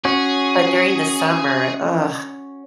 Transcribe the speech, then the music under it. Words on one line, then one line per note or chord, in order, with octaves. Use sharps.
but during the summer, ugh,
C#4 F#4 G#4